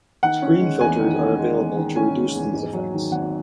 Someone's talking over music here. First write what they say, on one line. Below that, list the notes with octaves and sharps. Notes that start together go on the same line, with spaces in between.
Screen filters are available to reduce these effects.
D#3 F#5
C#4
G#3
E2 G#5
D#3
C#4
G#3
E2
D#3
C#4 G#5
G#3
E2
G#2
F#3
D#3
G#1 F#5